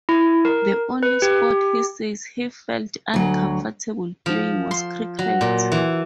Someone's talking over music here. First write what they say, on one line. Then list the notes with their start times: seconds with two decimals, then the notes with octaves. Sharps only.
The only sport he says he felt uncomfortable playing was cricket.
0.09 E4
0.45 A#4
1.03 B4
1.22 G4
3.14 D2 F#3
4.26 F3
4.71 C6
5.19 F#3
5.41 A#2
5.72 E3